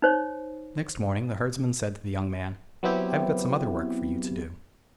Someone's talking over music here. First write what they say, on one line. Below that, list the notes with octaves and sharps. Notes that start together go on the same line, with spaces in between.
Next morning the herdsman said to the young man: 'I have got some other work for you to do.
D#4 C5 C#5
F#3 B3 C4 E4 G4